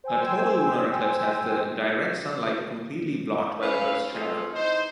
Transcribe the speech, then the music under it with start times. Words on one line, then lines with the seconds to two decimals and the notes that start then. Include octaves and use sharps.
A total lunar eclipse has the direct sunlight completely blocked by the earth's shadow.
0.04 C5 G5 G#5 E6
3.62 C#4 B4 F5
4.12 A3 C4 F4 G#4 A4
4.52 E3 D#4 C5